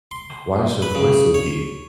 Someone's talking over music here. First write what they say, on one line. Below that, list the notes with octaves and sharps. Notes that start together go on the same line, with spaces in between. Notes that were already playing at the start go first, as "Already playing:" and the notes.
"Why is your voice so deep?"
C6
B4
C#3
C#5